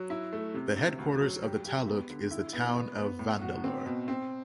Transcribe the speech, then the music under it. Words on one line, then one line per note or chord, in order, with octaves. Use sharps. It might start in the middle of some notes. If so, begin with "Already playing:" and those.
The headquarters of the taluk is the town of Vandalur.
Already playing: F#3
E4
A3
C3
C3
D2
F#3
G4
G4
B3
D3
E4
B3
B3
B3
A2
F#4
C4
B2
C4